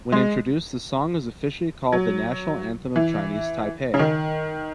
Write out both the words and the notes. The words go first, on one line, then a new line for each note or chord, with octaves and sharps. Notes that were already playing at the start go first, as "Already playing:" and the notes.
When introduced, the song is officially called the National Anthem of Chinese Taipei.
G#3
F#3
E3
C#3
D#3